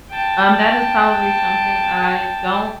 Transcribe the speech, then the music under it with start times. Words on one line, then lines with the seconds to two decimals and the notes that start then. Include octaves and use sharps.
Um, that is probably something I don't
0.10 G5 A5